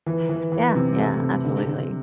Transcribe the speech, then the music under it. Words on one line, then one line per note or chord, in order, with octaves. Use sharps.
Yeah, yeah, absolutely.
E3
E3
E3
C3
A3
C3
D3
D3